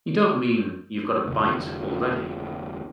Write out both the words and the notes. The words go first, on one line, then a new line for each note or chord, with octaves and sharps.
You don't mean you've got a bite already?
F1 D2